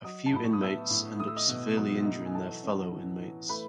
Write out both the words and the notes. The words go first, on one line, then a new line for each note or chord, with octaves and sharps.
A few inmates end up severely injuring their fellow inmates.
F#3 D#5 D#6
A5
A2 B5
C#6
D#6
B3 E5 E6
A2
A3 D#6
E6
D#5 D#6
B2
F#3
D#4
G#5
E3 A4 A5
C#4
E3
E3
A3 B4 B5